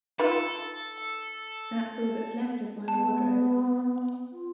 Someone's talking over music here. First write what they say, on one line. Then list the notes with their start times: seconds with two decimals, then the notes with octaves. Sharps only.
That’s all that’s left of my wardrobe.
0.19 D#4 F4 A4 B4
2.88 B3 A5
4.32 F4